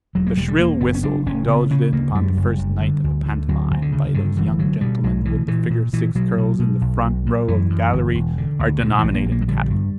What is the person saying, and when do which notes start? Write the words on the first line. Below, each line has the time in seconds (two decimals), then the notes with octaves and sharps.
The shrill whistle indulged in upon the first night of a pantomime by those young gentlemen with the figure six curls in the front row of the gallery are denominated cat-calls.
0.15 E1 F#3
0.27 A#3
0.37 E1 G3
0.48 G3
0.59 E1 A#3
0.81 F#1 B3
0.95 C#4
1.03 F#1 D4
1.26 F#1 C#4
1.48 C#3 B3
1.70 C#3 C#4
1.93 D2 A#3
2.15 F#2 G3
2.37 F#1
2.59 F#1
2.81 D3
3.04 D2
3.26 D3
3.48 D2 F#3
3.71 D2
3.82 D3
3.92 C#3
4.14 G2 D3
4.37 G1 E3
4.59 D3 F#3
4.81 B2 G3
5.04 B1 F#3
5.25 B2 E3
5.48 A#2 E3
5.70 A#2
5.93 A#2 E3
6.15 B2 F#3
6.38 B2
6.59 B2
6.81 B1
7.04 B1
7.26 A#2
7.48 F#2 E3
7.70 F#2
7.93 G1
8.14 E1
8.38 D3
8.60 D2
8.81 A#2 D3
8.99 A#1 E3
9.14 A#3
9.26 A#1
9.32 A#3
9.41 F#3
9.48 D3 G3
9.70 G2